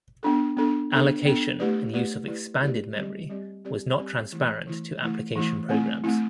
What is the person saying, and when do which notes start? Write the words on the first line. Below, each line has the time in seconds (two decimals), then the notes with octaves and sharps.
Allocation and use of expanded memory was not transparent to application programs.
0.23 B3 D4 A4
0.57 B3 D4 A4
0.91 B3 D4 A4
1.25 B3 D4 A4
1.59 A3 E4 G4 B4 D5
1.93 A3 E4 G4 B4 D5
2.28 A3 E4 G4 B4 D5
2.62 A3 E4 G4 B4 D5
2.96 G3 C4 G4 D5
3.30 G3 C4 G4 D5
3.65 G3 C4 G4 D5
3.98 G3 C4 G4 D5
4.32 E3 A3 E4
4.67 E3 A3 E4
5.01 E3 A3 E4
5.36 E3 A3 E4
5.69 A3 C4 E4
6.04 A3 C4 E4